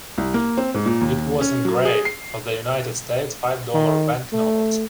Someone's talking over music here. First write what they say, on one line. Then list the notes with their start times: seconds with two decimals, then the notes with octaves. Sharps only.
It was engraved for the United States five-dollar banknotes.
0.18 C2
0.34 A#3
0.58 C4
0.74 G#2
0.86 A#2
1.01 D#2
1.41 C#4
1.65 F#3
1.85 G#4
2.05 C7
3.74 D#3
4.33 A3